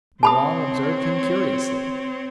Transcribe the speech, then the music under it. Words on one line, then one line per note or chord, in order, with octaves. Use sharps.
Milon observed him curiously.
C4 C#5 A5 B5 D#6